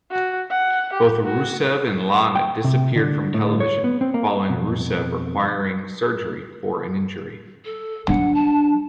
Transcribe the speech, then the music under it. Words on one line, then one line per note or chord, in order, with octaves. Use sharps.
Both Rusev and Lana disappeared from television following Rusev requiring surgery for an injury.
F#4
F#5
G4
F#4
G5
C3
D3
A2
C#5
B3
C4
A#3
F2 B2
A4
F#3 D4 F#5
A5